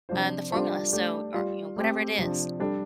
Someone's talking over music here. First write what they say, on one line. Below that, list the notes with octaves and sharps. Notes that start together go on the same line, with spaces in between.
uh, the formula. So or, you know, whatever it is,
C3 F3 D4 F4 C5
G3 D4 F4 A4 C5
A3 D4 G4 D5
G3 F4 D5
A3 C4 G4
C3 F3 D4
G3 D4 A4 D5